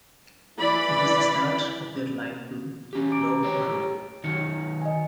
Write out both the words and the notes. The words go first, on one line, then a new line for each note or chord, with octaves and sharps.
It was the start of their line to Loughborough.
E3 D5 B5
C#4 G4
A#5 D6 D7
G4 C#5 G5
D#3 F#3 D#4 C#7
D#5 G#5